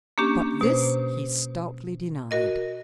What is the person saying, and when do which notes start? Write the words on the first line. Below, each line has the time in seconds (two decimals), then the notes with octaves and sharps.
But this he stoutly denied.
0.18 A#3 C#4 D4 G4
0.61 B2 C5
2.31 F#4 A#4 D#5